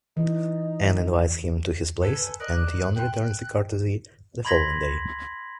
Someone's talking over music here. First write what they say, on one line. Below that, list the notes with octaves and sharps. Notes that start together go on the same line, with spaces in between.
An invites him to his place and Yuan returns the courtesy the following day.
E3 D#4
A4 B4 G#5
A#4 D5 D#5 F#6
G5 C6
B5 C6 G#6 A#6 B6 F#7